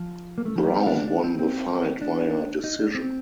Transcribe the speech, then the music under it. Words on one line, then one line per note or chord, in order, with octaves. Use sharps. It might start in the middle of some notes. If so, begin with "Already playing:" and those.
Brown won the fight via decision.
Already playing: F3
A#3
A3
F3
G3
C4
D4
D4
D4
C4
C4
D4
D#4
D4
C4